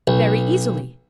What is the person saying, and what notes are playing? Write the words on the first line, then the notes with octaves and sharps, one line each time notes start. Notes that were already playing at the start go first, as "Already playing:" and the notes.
"Very easily."
B1